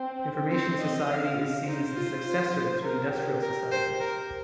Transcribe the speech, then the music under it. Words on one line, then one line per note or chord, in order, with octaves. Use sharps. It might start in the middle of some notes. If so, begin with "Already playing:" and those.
Information society is seen as the successor to industrial society.
Already playing: C4
C4 C5
D#5
F5
D#4 C5
F4
F4
A#4
G4
A#4
C5
A#4